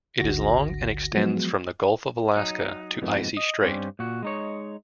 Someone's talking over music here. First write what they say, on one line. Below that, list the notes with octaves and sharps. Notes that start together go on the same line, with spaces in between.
It is long and extends from the Gulf of Alaska to Icy Strait.
G#1 D2 D3 F#4 A#6
F3 F#3 G#3 B3 F#4
F#3 D#4
F2 G#2 B2
D#5
G2 G3 C4 C#4
A#2 F#4
G#3 D#4 C#5